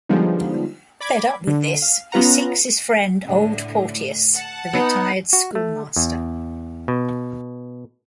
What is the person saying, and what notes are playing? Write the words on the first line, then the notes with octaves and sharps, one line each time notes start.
Fed up with this, he seeks his friend Old Porteous, the retired schoolmaster.
D3 F3 G3 G#3 B3 D#4
D5 B5 D6 G#6
D3
F5
B3 C#4 F4 B4 F#5 A#5
A2 D3
F#5 A5
B3 D#4
F#4
A3
E2
B2